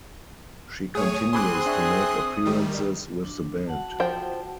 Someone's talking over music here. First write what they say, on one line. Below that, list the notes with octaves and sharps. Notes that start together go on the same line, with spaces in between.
She continues to make appearances with the band.
A2 A3 G#4 C#5 D#6
C4 G#4 G#5 B5 C6 D6 F#6
D4 E5 C#6
D#3 G3
D4
F#4 F#5 A5
F3 C5 G5